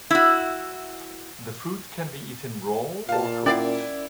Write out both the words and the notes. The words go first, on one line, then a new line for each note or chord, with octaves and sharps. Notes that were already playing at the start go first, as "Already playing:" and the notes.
The fruit can be eaten raw or cooked.
E4 F#4
A#2 F5 A5
C#4 E4 A#4 D5 F#5